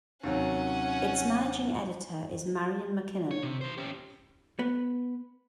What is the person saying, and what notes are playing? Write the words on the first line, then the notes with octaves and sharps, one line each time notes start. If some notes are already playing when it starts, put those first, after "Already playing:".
Its managing editor is Marion MacKinnon.
D#2 C3 F#3 C#4 F#5
C#5
C3
D#3 C5
C#4 G4
B3